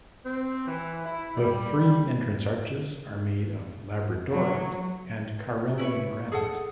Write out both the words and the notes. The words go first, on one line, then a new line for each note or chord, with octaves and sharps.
The three entrance arches are made of labradorite and Karelian granite.
C4
E3
E4
G3
F#3
E4 B4 C#5
G#4 A4 F#5